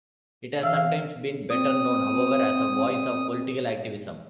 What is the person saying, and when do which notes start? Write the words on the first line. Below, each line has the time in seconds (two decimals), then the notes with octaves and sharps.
It has sometimes been better known, however, as a voice of political activism.
0.63 E3 F5 E6
1.50 C4 D#6